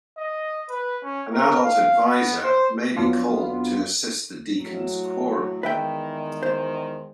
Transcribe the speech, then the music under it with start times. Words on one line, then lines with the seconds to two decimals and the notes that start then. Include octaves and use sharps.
An adult advisor may be called to assist the deacons quorum.
0.18 D#5
0.70 B4
1.03 C#4
1.33 A#4
1.64 F5
2.06 B3
2.44 C5
2.96 F2 F#3 B3 D4 F4
4.57 A2 F#3
5.63 E2 D#3 G#3 B4 E5 G5
6.43 C5